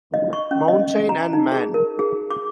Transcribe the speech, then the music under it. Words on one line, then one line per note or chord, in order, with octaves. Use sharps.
Mountain and man.
D#5
C#6
C#4
D#5
A#5
D#4
G#4
A#4
G#4
D6